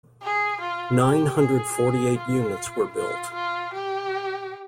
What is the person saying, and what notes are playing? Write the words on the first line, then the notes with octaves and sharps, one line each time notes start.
Nine hundred forty-eight units were built.
G#4
F4
G4
G#4
F4
F4
F4
G4